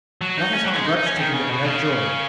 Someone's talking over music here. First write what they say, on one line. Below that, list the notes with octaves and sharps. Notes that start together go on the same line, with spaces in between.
Let us not grudge to the young their joy.
F#3
D#4
C#4
F#3
G#3
D#4
D#4
C#4
D#3
C#3
B2
C#3